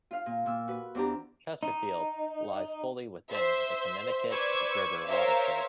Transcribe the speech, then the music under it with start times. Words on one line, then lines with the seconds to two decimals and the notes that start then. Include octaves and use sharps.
Chesterfield lies fully within the Connecticut River watershed.
0.11 F4 F5
0.26 A#2
0.46 A#2 E6
0.68 F#4 B4
0.95 E2 C4 D4 G4 A#5
1.63 D#4
3.30 C5 E5 C6
4.29 B4 C5 D5 C#6 E6 G#6
5.07 A#4 C5 C#5 E5 F5